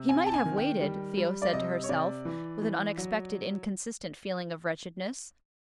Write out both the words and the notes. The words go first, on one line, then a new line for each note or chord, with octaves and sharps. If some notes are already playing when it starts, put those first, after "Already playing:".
"He might have waited," Theo said to herself, with an unexpected, inconsistent feeling of wretchedness.
Already playing: C3
C4 G#5
A5
G#5
D#3
G5
G3
G3
D5
C3 D#5
C#5
C3 D5
E3
E3
F#3